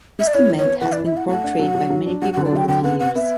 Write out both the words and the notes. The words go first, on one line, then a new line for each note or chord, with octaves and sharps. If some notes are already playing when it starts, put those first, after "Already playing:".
Mr. Met has been portrayed by many people over the years.
E5
D5
E4 C#5
E3
C#5
B3
E3 F#5
D5
E4
E5
E4
F#5
A3 F#5
D4
F#3
F#3
F#3
D4
F#3 F#5
F#5
D3
D5
F#3 G5
D3 G5
B3 F#5
B3 F#5
B3 E5